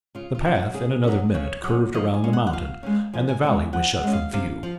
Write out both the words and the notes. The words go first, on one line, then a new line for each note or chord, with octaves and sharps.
The path, in another minute, curved around the mountain, and the valley was shut from view.
C#3 F4
F4
F#3 C#4
F#4
C#3 G#4
F#3 C#4
C#3 C#5
F#3 C#4
F3 D#5
G#5
G#3 C#4
F#5
F#5
F3 F5
G#3 C#4
F3 G#5
G#5
G#3 C#4 G#5
F3 F#5
F#5
G#3 C#4
F5
C3 F5
F3